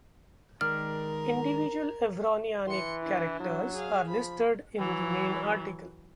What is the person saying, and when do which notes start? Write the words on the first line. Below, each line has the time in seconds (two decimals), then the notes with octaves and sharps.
Individual Evroniani characters are listed in the main article.
0.61 D#3 G#3 A#4 D5 F6
2.67 E3 C6 C#7
3.02 D4 E4
3.40 F#3
3.75 G#4 F5
4.08 F3 B5
4.78 E3 F#3